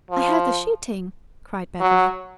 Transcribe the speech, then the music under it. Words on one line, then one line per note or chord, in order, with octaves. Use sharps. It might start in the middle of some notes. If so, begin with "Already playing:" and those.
"I heard the shooting," cried Beverly.
F3
F#3